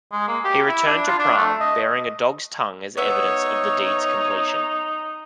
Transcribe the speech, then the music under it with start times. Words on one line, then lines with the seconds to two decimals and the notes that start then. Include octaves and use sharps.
He returned to Priam bearing a dog's tongue as evidence of the deed's completion.
0.12 G#3
0.28 A#3
0.45 G4
0.68 E4
0.87 D4
1.07 F4
1.19 D4
1.37 A3
1.61 D#5
2.97 B3 D#4 C#5 E5